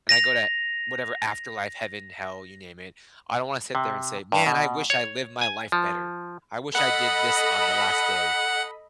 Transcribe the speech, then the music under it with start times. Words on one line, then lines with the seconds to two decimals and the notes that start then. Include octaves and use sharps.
and I go to whatever afterlife, heaven, hell, you name it, I don't wanna sit there and say, "Man, I wish I lived my life better, I wish I did this on the last day."
0.09 A#6 D#7 F7
3.75 C3
4.32 G2
4.46 B2
4.90 C#5
5.41 G#5
5.72 F3
6.75 A4 D#5 F#5 B5